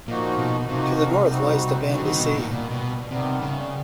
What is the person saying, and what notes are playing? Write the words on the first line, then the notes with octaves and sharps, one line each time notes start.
To the north lies the Banda Sea.
A#2 F3 A#3 D#4 F#4
B2
C3 F3 A#3 D#4 F#4
G3 C4 D#4 F#4
D3 G3 C4 D#4 F#4
D#3
B2
A#2
A#2 D#3 G3 B3
B2
C3 D#3 G3 B3
C#3